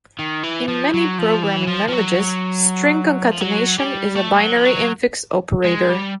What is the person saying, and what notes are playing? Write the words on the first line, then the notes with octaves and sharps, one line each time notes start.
In many programming languages, string concatenation is a binary infix operator.
D#3
E3
F3
F#3
F3
E3
F3
F3
F#3
F3
F#3
G3
A3
F#3
F3
F#3
G#3
G3